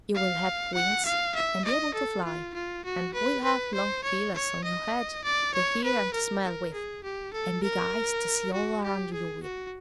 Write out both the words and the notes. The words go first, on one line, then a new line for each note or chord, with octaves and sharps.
You will have wings, and be able to fly; and will have long feelers on your head to hear and to smell with, and big eyes to see all around you with.
F5
F#5
F5
E5
D#5
A4
F4
F4
F#4
B4
B4
C5
C#5
C#5
D#5
D5
C#5
B4
A#4
A#4
G#4
G4
A4
A#4
F#4
G4
G#4
F#4